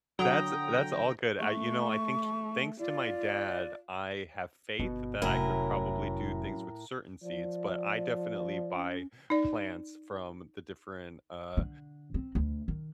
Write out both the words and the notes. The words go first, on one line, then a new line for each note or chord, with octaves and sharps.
That's that's all good, I you know, I think thanks to my dad, I have faith that I could probably do things with certain seeds, but I definitely buy plants from the different, uh,
D3 F#3 G5 A#5 D#6
A3 C#6
F4 D5
G1 B2
F1 A2 F#3 C#4 E4 A#4
F3 D5
C#4
D#4 D5
D3
C4
D2
D#3